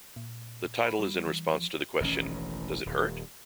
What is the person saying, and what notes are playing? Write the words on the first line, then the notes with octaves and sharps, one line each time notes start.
The title is in response to the question, Does it hurt?
A#2
B5
G3
E3
F3
E1 A1 D#3 C#4
D#1